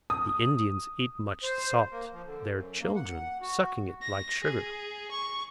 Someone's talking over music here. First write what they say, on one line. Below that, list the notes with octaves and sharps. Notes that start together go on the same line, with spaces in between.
The Indians eat much salt, their children sucking it like sugar.
D#6
C5
A#3
F3
D3
F#2
A#3
F#5
F#4
A#6
G#4
C#6